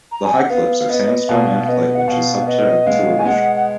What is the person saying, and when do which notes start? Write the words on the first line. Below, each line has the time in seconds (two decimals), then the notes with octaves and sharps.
The high cliffs are sandstone and clay which is subject to erosion.
0.12 A#5
0.25 G#5
0.37 F#5
0.50 B3 F5
0.80 F5
0.89 B3 D#5
1.28 B2 F5
1.64 F5
1.68 B3 D#5
1.95 F#5
2.08 B2 F5
2.47 B3 D#5
2.86 G#3 F5
3.19 G#5
3.25 G#3 F#5
3.56 F#5